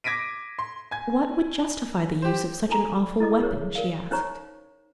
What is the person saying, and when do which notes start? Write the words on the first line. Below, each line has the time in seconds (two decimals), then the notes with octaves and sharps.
"What would justify the use of such an awful weapon?" she asked.
0.04 D6 G#6 A#6 B6 D7 D#7
0.59 C6
0.91 G#5 G#6
2.22 G4 C5
2.69 D#4 A4 G#5 A#5
3.20 E4 A4 D#5 D6
3.41 G#4 A#4 C5 C#5
3.75 A#4 D5 F5
4.11 C#4 D#4 C5 C#5 A#5 C#6